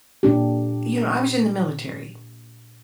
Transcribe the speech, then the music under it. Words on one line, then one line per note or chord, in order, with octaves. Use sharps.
you know, I was in the military
A#2 D4 G4